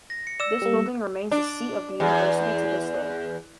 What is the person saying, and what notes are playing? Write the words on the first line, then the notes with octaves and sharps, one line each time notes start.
This building remains the seat of the university to this day.
A#6
C#7
D5 E6 E7
G3 A#3
D4
E2